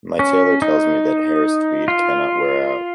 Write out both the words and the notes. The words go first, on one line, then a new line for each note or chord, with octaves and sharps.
My tailor tells me that Harris tweed cannot wear out.
C#4
D#4
F4